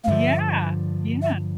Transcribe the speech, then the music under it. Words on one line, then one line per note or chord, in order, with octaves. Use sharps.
Yeah. Yeah.
F5
G2 D3 F3 E5
E5